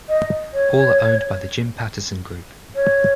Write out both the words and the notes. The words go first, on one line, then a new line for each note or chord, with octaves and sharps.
All are owned by the Jim Pattison Group.
D#5
C#5
C#5